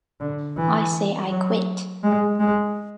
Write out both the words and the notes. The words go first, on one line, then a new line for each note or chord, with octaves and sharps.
I say I quit.
D3
E3
F#3
G#3
G#3